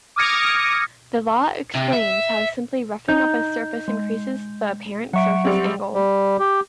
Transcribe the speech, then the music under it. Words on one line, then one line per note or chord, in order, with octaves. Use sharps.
The law explains how simply roughing up a surface increases the apparent surface angle.
D6 D#6 F6 G#6 A#6 C#7
C3
E5
D#4 G6
G#3
F#3 E5 F#5 C#6 D7
G3 C4
G3
G4